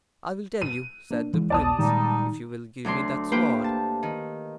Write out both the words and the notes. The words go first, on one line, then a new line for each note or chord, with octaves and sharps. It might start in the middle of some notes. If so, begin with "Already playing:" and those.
"I will tell you," said the prince, "if you will give me that sword."
D#7
A#3 D4
E3 G#3
E1 B1 B2 D5 A5 D#6
A#2 D#3 G3 G#3 D#4
D2 F#3 D4 C6
A#3 F4 G4 B4 C5 G5
A5
D#3